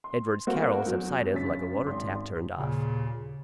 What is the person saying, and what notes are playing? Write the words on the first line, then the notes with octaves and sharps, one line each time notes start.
Edward's carol subsided like a water-tap turned off.
C6
G3 A3 A#3 C4 F#4
E2 F#3
F#2 C#3 C#4 A6 B6
G#1 C6
D#2 A#2 C#3